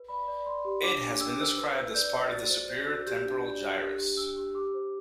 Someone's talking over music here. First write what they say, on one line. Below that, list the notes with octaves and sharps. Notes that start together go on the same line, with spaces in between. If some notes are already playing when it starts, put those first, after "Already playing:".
It has been described as part of the superior temporal gyrus.
Already playing: B4
D5 B5
D5
D5 C6
G4
D4 D6
D4
D4 E6
D6
C5 E6
B4 E6
B4
D5 G6
D5
F#4 A6
C5
C5 G6
F#4 E6
F#6
G4 G6
D4
D5
D4
G6
G4 F#6
G4
D4 E6
G4
G4 D6
C5